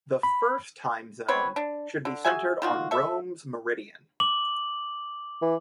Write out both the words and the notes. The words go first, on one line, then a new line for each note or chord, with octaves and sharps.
The first time zone should be centred on Rome's meridian.
B5
B3 C4 B4 C#5
D4
D3
F#4 G#4 E5 G#5
D#3 F4 F#4
A4 E5
D6 F#7
E3